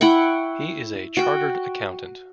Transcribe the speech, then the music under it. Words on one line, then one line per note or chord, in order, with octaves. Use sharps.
He is a chartered accountant.
E4 F#5 G5 C#6
F#4 G5